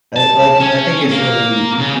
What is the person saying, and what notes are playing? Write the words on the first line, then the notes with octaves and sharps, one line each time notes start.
I, like I think it's really
A5
C#4
A#3
C#3